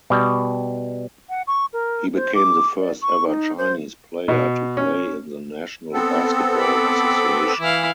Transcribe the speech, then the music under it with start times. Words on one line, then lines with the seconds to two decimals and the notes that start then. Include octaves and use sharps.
He became the first ever Chinese player to play in the National Basketball Association.
0.10 B2 G3
1.29 F#5
1.47 C#6
1.73 A#4
2.15 C5
2.35 D6
2.79 D5
3.02 C#6
3.27 D#4
3.58 C5
4.28 B2
4.77 C#4
5.93 B3 C4 A4
6.60 B5 D6
7.60 E3 E4 F5